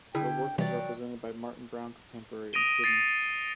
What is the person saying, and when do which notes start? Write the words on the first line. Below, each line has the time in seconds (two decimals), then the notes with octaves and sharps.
Her work is represented by Martin Browne Contemporary in Sydney.
0.15 D3 E4 G#4 G5
0.58 C3 E3 F#3 G3 D5 G5
2.53 D#6 A#6 D7 D#7 G7
2.84 A6 C7 C#7 D#7